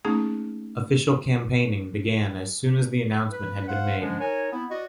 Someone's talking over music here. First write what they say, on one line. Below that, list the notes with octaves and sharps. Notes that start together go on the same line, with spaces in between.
Official campaigning began as soon as the announcement had been made.
A3 A#3 C#4 D#4 G#4
B4
C5 F5 F#5
D3 F3 G#3 C#4 D4
D#4 A#4 C#5 G#5
B3 C4 E4
F#4 D5 D#5